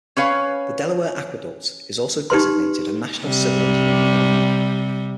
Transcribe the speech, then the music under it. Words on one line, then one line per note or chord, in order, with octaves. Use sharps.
The Delaware Aqueduct is also designated a National Civil Engineering Landmark.
C#4 B4 C#5 F5
D#4 G4 B4 C6
C3 G3